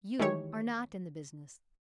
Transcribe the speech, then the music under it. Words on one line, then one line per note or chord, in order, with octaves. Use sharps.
You are not in the business.
D#3 E3 G#3 E4 G4 C#5